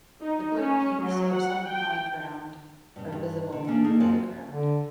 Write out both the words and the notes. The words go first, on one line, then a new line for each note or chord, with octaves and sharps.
The blue peaks of some high ground are visible in the background.
D#4
C#4
F#3
F#5
G5
G2 C#3
G2
D3
A#3 C#4 D4 G#4
A#3 D#4 G#4 A4
F#2 F3 A#3 C4 C#4 F4
D3